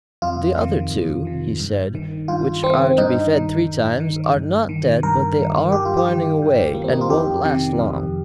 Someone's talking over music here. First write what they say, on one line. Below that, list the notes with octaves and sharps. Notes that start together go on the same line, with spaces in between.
'The other two,' he said, 'which are to be fed three times, are not dead, but they are pining away, and won't last long.'
F2 F4
C3 D#3
F2
C3 D#3
G2
D#3
G2 F4
D#3 C4
G2 D#4
D#3
G2
D#3
G2
D#3
G2 A#4
D#3
G2 G4
F4
G4
D#3
G2
D#3 A#3
C4
D#4
F4
F2 G4
C3 D#3
F2